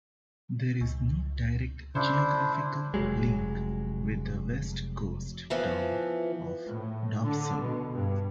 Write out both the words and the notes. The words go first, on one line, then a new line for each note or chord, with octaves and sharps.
There is no direct geographical link with the West Coast town of Dobson.
C#2
C#3 D4 E4 C5
F1 C2 F#3 G#3
E3 F3 B3
A2
D3
B2
G2